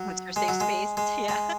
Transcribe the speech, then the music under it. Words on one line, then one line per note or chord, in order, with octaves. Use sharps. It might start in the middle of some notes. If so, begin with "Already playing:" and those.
Once our safe space. Yeah.
Already playing: F#3
G#3
F#3
G#3
G#3
G#3